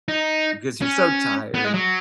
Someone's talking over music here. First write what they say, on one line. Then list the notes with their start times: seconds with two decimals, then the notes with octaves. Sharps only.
because you're so tired.
0.08 D#4
0.82 C#4
1.54 B3
1.64 G#3
1.74 F#3